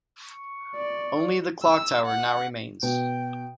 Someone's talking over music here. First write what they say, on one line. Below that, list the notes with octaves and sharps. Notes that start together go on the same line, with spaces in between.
Only the clock tower now remains.
C#6
D5
E6
F#5
B2 G5